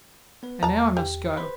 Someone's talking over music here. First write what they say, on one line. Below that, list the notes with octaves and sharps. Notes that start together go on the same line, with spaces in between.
And now I must go.
B3 B4
E2 A5 A#5
G4
B4 C5 B5